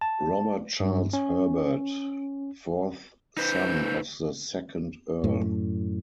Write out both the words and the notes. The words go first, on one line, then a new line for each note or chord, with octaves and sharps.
Robert Charles Herbert, fourth son of the second Earl.
A5
G2
C#4
D#4 B4 C5 G6
F#2 A2